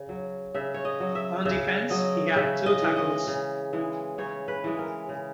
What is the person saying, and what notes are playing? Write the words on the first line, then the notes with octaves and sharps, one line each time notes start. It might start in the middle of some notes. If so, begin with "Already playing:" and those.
On defense he had two tackles.
Already playing: C#3
F#3
C#3 E5
C#5
D#5
F#3
E5
C#3 E5
F#3 D#5
C#3 E5
D#5
E3 G#3
D#5
C#3
E3 G#3
C#3 C#5
B4
E3 G#3
A#4
C#3